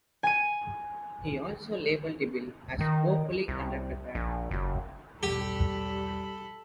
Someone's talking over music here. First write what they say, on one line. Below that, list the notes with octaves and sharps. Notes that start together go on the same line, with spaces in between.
He also labelled the bill as "woefully underprepared".
G#5 D#7
D#3
C2
A#1
F#1
E1 B1 G3 G4 A4 B5